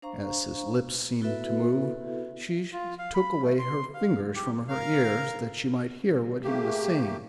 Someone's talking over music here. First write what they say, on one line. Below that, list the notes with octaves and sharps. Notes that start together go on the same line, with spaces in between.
As his lips seemed to move, she took away her fingers from her ears that she might hear what he was saying.
D4 C5 F5 A#5 C#6
B3 E4 F#4 A4 B4 E5
F4
F5
B5
A3
C6
F5
G4
A#4 F5
A3 A#3 G4 G#4